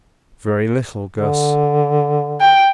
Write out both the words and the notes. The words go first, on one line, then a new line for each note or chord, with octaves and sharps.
"Very little, Guss."
D3
G5